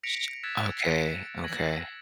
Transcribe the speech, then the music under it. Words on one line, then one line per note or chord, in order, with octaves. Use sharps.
Sh Okay, okay.
A#6 B6 C#7 D7 F7
E6 F#6 G#6 A6 B6 E7
G#6 A#6 F#7